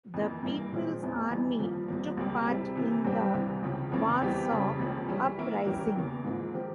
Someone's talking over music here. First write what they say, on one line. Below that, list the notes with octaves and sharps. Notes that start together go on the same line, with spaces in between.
The People's Army took part in the Warsaw Uprising.
F2 E3 A#3
G2 E3 A#3
A#2 F3 G#3 C4
E2 E3 G#3 C#4
F2 E3 G3
G2 F3 A#3 F4
C2 C3 F3 A#3
C#2 C3 G3 A#3
C3 G3 C4 E4
C3 E3 A#3
G2 G3 C4 G4
C2 C3 E3
C#2 C#3 F3
F2 C#3 E3 A#3 C#4
E2 E3 G3 C4 G4
F2 C#3 G3
C#2 C3 F3 A#3 C#4
E3 G3 C#4 E4
E3 A#3 E4 A#4
E3 G3 C#4 G4 A#4
E2 C#3 E3 A#3
G#2 F3 A#3 F4
F3 C4 G4 A#4